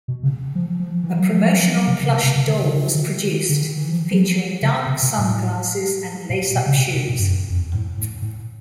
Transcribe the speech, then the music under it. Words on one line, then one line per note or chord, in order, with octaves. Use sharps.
A promotional plush doll was produced, featuring dark sunglasses and lace-up shoes.
B2
C#3
F3
F3
E3
F#3
F3
F3
F#3
F3
F#3
C3
C#3
C3
C3
C#3
D3
D3
D3
C#3
D#3
D3
D#3
E3
F3
F#3
F3
C#3
C3
B2
A2
A#2
B2
C#3
C3
B2
A#2
G2
F#2
F2
A2
A2
A2